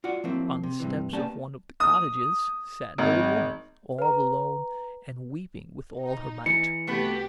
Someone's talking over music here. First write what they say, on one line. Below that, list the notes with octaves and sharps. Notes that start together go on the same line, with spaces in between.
On the steps of one of the cottages sat an old woman, all alone and weeping with all her might.
F4 F#4 D5 F#5
F3 F#3 A#3 C4 E4
C3
G2 C3 E3
A#3 B3 C#4 G4 D5 A5
D#6
G#1
B4 A#5
D#4
E3 C#7
C2 A3 B3 F#4 G4 B4